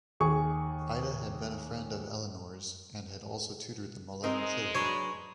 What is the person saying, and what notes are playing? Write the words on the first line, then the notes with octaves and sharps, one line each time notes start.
Ida had been a friend of Elinor's and had also tutored the Malone children.
D#2 G#4 C#6
G#3 C4 D#4 A#4
F#3 D4 B4 C#5